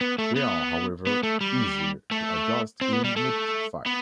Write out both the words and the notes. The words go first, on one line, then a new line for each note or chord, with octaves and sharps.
They are however, easier to adjust in mid-fight.
B3
A3
B3
B3
A3
G3
A3
C4
B3
G3
A3
B3